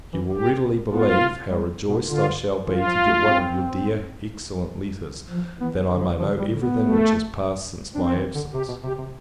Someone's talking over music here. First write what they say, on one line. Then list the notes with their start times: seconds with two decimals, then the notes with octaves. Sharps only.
You will readily believe, how rejoiced I shall be to get one of your dear, excellent letters, that I may know every thing which has passed since my absence.
0.13 E3
0.32 G4
0.91 B3 F4
1.50 G3
1.89 B2
2.08 D3 F4
2.66 E3 F4
2.86 F3
3.07 A3
3.26 C4
5.30 F3
5.61 E3 B3
5.90 D3
6.00 F3
6.19 D3 F3
6.39 G3
6.49 D3
6.58 B3
6.77 A3
7.95 C4 D4
8.15 E3
8.35 D3
8.53 C3 G4
8.68 B2
8.83 C3 G4
8.98 C3